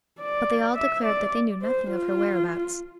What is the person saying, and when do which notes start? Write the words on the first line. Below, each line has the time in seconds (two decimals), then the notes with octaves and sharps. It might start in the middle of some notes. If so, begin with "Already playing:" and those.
But they all declared that they knew nothing of her whereabouts.
0.20 D5
0.77 E5
1.05 D5
1.62 C5
1.91 F4